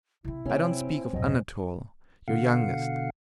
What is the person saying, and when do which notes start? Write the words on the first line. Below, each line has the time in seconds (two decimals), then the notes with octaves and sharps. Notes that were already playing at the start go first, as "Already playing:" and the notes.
I don't speak of Anatole, your youngest.
0.24 C#3 C4 E4
0.45 F#2 C3 C4 C#4
1.13 A1 E2 G2 B2 F#3 D#5
2.28 B2 D3 F5 F#5